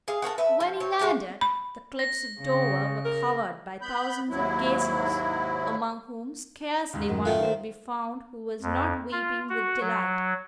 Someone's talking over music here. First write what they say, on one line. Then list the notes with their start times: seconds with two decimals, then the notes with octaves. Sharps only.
When he landed, the cliffs of Dover were covered by thousands of gazers, among whom scarcely one could be found who was not weeping with delight.
0.08 G#4 F5
0.22 A4 A#4 C#5 F#5
0.38 B4 E5
0.60 F3
0.80 C4 C#5
0.99 A2 G#3 A3 C#5
1.41 B5
1.99 A#6
2.42 C#3
3.05 A#4
3.82 B3 B5 G6
4.29 D#2 G#2 F#3 E4
6.93 D#2 G#2 C#3
7.08 F#2 A2 D#3
7.25 A3 F4 F#5 G5
7.39 D#3 C5 F5
8.62 F2
9.12 F4
9.49 F#4
9.80 F#3